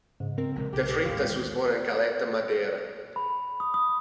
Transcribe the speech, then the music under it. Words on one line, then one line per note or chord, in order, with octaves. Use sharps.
De Freitas was born in Calheta, Madeira.
G#2 C#3
C4 A#4
A#1 C3 G#3
B1 G4
A1 D#2 C3 G#3 F5
B5
D#6
D#6